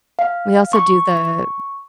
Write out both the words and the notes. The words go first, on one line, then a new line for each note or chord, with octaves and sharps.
We also do the
F5
C#6